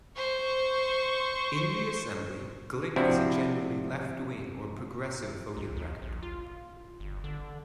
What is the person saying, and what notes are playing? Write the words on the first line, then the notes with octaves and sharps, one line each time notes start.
In the Assembly, Glick has a generally left wing or progressive voting record.
C5 C#6
C3 F3 C4 D4 E4 F#4
C2
D#2
A#1
F4
G1
D3